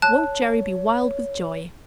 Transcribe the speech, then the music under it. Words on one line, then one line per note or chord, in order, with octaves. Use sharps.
Won't Gerry be wild with joy?
C#5 A5 F#6